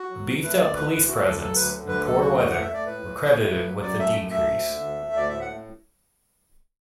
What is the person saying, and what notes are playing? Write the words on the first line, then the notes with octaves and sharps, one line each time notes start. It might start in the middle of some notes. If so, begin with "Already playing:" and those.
A beefed-up police presence and poor weather were credited with the decrease.
Already playing: F#4
F#3
E2
A3 B4
D2 D5
D3 B4
D2 B4
A3 F#4
D2 A4
F#3 A4
D2 B4
D3
D2 B4
F#3 A4
D2 F#4
A2 F#4
A3 F#5
E5
A3 D5
A2 B4
A2
A3
A3
F#2
F#3
F#2 D5
A3 E5
F#2
A3 E5
D2
D3
D2
A3
D2 D5
A2 E5
A3 F#5